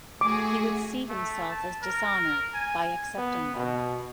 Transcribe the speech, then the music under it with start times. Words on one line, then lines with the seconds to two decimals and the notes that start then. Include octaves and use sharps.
He would see himself as dishonored by accepting them.
0.21 A3 F#4 G#4 D6
1.09 A3
1.51 A5
1.83 A#4
2.54 G#5
3.18 B3
3.56 B2